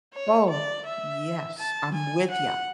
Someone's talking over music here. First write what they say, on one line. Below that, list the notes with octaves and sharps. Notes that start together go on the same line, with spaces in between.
Oh, yes, I'm with ya.
C#5
D5
E5
A5
G#5
F#5